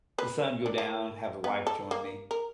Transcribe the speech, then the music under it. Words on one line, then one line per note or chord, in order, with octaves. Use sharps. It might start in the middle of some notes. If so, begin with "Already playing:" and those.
the sun go down, have the wife join me,
B4
D4
A#3
B3
A4
A#3
A#4